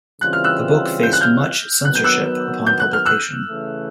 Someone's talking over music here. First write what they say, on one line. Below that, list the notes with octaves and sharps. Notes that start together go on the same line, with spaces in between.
The book faced much censorship upon publication.
C#3 E3 G3 C4 F4 F#6
F6
E6 F#6
G6
F#6
F6 G6
D#3 F#3 B3 F#6
G6
E6 F#6
G6
F#6
F6
E6 F#6
C#3 E3 A3